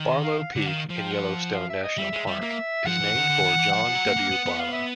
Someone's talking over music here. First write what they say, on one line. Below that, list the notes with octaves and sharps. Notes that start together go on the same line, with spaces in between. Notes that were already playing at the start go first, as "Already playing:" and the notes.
Barlow Peak in Yellowstone National Park is named for John W. Barlow.
Already playing: D#3
F5
F5
D3 F#5
D#3 F5
F3
G5
F#5
F5
E5
D#5
G3 E5
G#3
G3
A#3
F3 F#5
E3
D#3
D3
D#3
E3
F3 F#5
F3
F#3
A#3
A#3
B3
B3
F5
E5